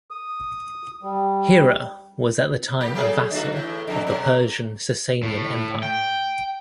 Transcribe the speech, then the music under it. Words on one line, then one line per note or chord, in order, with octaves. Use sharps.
Hira was as the time a vassal of the Persian Sasanian Empire.
D#6
G3
A#3 G4
F#3 A3 G#4
D3 A3 F#4
E2 A2
F2 D3
B2
A2
G5